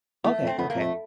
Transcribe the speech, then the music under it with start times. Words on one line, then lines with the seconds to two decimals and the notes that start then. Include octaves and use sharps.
Okay, okay.
0.24 E2 A3
0.42 F2
0.47 C4
0.58 F2 B3
0.70 A#3
0.75 F2
0.81 A3